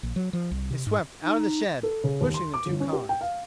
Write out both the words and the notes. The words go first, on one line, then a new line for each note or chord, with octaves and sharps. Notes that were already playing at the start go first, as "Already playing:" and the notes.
They swept out of the shed, pushing the two cars.
A#1
F#3
F3
C2
C3
G#2
D#4
A4
C#3
D#2
C6
D6
G1
C#4
G4
G5
F5